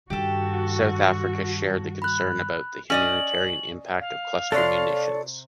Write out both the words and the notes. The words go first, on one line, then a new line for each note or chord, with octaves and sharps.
South Africa shared the concern about the humanitarian impact of cluster munitions.
G2 D#3 F#4 G4 A4
B5 F#6
C#4 D5 D#5 F#7
F5
C3 A4 C#5 D5 C6